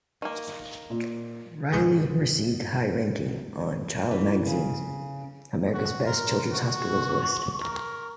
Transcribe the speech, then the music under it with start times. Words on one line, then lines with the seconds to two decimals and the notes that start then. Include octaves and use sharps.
Riley received high ranking on "Child" magazine's America's best children's hospitals list.
0.22 D#3 A#3
0.90 A#2
1.72 C#2 G#2 B2 G#3 G6 C#7
4.11 E3
4.46 C#3
5.74 F#4
6.06 A#4 C6
6.52 F#4 C#6
7.62 A#4